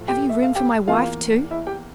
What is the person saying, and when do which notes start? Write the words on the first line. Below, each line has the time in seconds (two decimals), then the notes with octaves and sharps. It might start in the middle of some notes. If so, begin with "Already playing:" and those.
Have you room for my wife, too?'
Already playing: A2 F3 A3
0.08 G4 G5
0.29 E5
0.42 F5
0.55 G4 G5
0.88 E2 E3 A#3 F4 F5
1.51 E4 E5
1.67 G4 G5